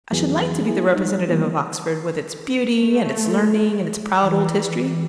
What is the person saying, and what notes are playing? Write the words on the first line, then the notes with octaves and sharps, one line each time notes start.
I should like to be the representative of Oxford, with its beauty and its learning, and its proud old history.
F2 E3 F#3 B3 G#4
A#3 E4 G#4
G3 G#3 D#4
E3 G3 A#3 B3
A3
E3